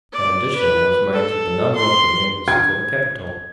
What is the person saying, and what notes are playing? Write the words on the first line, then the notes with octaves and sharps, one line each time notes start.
An addition was made to the number of the members for the capital.
D5
B4
A4
C6
G#6